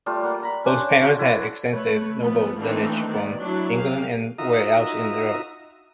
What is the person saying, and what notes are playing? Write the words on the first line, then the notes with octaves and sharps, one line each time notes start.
Both parents had extensive noble lineage from England and elsewhere in Europe.
G3 A3 F4
A#3 F#5
A#5 B5 C#6
C#4 D4 C5
F#4
E4 F#5
A3 B4 C#5
F3 A3 B3
E3 A3 A#3 C4 D4 D#4
D#3 B3 D5
F#3 D4 E4
G4 G#4 F5
D#4 F4 F#4 E5 A#5 D#6